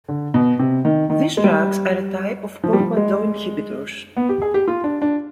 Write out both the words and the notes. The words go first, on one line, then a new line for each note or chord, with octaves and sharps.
These drugs are a type of "portmanteau inhibitors".
D3
B2
C3
D#3
D#3
G#3
G3
F3
G3
F3
G#3
B3
G4
G#4
G4
F4
D4
D4